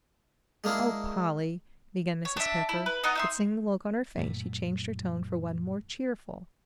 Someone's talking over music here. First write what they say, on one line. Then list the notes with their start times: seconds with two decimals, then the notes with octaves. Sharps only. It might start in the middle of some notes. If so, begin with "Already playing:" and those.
"Oh, Polly," began Mrs. Pepper; but seeing the look on her face, she changed her tone for one more cheerful.
0.64 G#3 A#3 D4 E4 G#4
2.25 C#5
2.37 D4 E5
2.69 E4
2.86 B4
3.03 B3 D#4 D#5
3.15 D#4 E5 C6
4.17 F#2 A#2 A3